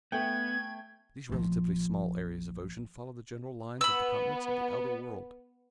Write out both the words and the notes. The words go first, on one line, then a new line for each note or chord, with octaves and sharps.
These relatively small areas of ocean follow the general lines of the continents of the outer world.
A3 B3 G5 G#6
A#1 F3
B3 B5 E6